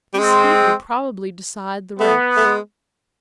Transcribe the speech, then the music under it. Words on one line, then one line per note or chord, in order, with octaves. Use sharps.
This heat will probably decide the race.
G3
G#3 C4
A3 B3
A3
G#3